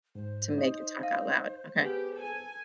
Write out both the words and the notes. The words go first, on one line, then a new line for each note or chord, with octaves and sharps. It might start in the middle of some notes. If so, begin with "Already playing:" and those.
to make it talk out loud. Okay.
G#2 C5
D#4 D#5
F5
B3 G4 G#4 B4
A4 G#5